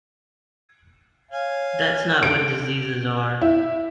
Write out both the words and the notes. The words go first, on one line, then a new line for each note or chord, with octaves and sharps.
That's not what diseases are.
C#5 F5 G#5
D7
E4